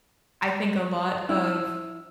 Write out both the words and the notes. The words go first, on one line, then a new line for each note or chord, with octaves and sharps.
I think a lot of
E4